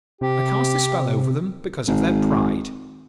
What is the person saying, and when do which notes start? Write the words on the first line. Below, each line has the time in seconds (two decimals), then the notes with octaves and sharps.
I cast a spell over them because of their pride.'
0.21 C3 G4
1.88 G#1